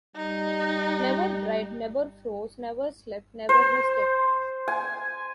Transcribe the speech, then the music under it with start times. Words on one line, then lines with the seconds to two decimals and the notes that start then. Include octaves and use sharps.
Never dried, never froze, never slept, never rested.
0.16 G3 D#4
3.49 C5
4.68 G#5